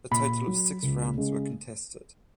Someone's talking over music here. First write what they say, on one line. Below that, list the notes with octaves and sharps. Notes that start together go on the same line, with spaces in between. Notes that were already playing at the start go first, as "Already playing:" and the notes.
A total of six rounds were contested.
A#2 B5
F#3
C#2
C#3 G#3